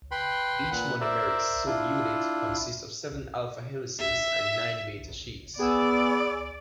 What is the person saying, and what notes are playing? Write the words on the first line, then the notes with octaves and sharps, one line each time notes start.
Each monomeric subunit consists of seven alpha helices and nine beta-sheets.
B4 G5 B5 C6
A#2 B4 F#5
A#4 C5 D5 E5
D4 E4 F4
E5
B3 G#4 D5 G#5 E6